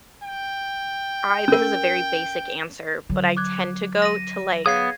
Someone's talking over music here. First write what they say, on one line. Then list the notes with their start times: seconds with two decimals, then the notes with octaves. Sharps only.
I this is a very basic answer, but I tend to go to, like,
0.24 G5
1.48 C#4 A#4
3.09 D3 F#3
3.37 D6 F#6 G#6
4.02 A#6 D#7
4.66 B3 G#4 C#5 F5 D#6 G#6 C7